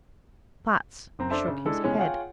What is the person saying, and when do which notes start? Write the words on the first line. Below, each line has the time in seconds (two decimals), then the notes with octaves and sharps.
Platts shook his head.
1.19 F#1 C4 A#5
1.30 D4 A4 C5 E5 A5
1.48 C#3
1.66 G#3 D4 E4 A4
1.84 C3 E3 G#3 B3 C#4
1.98 F4 G#4 C#5 F#5 G5